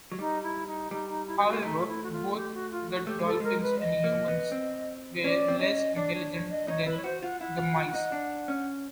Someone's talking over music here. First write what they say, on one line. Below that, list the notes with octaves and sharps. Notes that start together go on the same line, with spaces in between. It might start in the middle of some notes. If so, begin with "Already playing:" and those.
However, both the dolphins and humans were less intelligent than the mice.
F#3
G3 D#4
E4
D#4
G3 D#4
D#4
E4
G4
F#4
A#3
A3 D#4
F4
E4
F#4
F4
G4
F#4
F4
F#4
A3 G4
G#3
G3 A4
G#3 A#4
B4
D#5
A#3
B3
C4
C#4 D5
C4
C#4 D#5
D4 D5
C#5
C#5
D#5
D#4 C#5
E4 B4
C#5
F#4 C5
F4 F#5
E4 F#5
F4
F4
D#4
D4
C#4